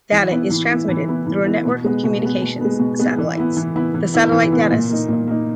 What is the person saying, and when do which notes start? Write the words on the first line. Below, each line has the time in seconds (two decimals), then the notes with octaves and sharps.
Data is transmitted through a network of communications satellites; the Satellite Data System.
0.12 E3
0.31 B3 E4
0.50 E3
0.69 B3 E4
0.89 E3
1.08 B3 E4
1.27 E3
1.45 B3 E4
1.66 B2
1.84 G#3 B3
2.04 B2
2.22 G#3 B3
2.42 B2
2.61 G#3 B3
2.79 B2
2.99 G#3 B3
3.18 E3
3.37 B3 E4
3.57 E3
3.76 B3 E4
3.94 E3
4.14 B3 E4
4.32 E3
4.52 B3 E4
4.71 A#2
4.90 A#3 D#4
5.09 A#2
5.28 A#3 D#4